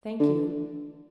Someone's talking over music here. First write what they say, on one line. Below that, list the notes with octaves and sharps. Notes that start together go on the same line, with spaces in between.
Thank you.
D3